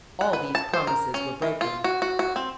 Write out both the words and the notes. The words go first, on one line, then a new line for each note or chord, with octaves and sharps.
All these promises were broken.
F#5
B4
A5
C5
A#4
C#4
E3
F4
F#4
F#4
F#4
C4